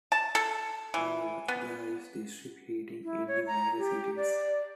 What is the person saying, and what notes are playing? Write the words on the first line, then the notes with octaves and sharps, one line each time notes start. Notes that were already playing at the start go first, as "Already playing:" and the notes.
However, there is district heating in the major cities.
A5
A4
E3
B3
E4
C#5
A#5
G4
D5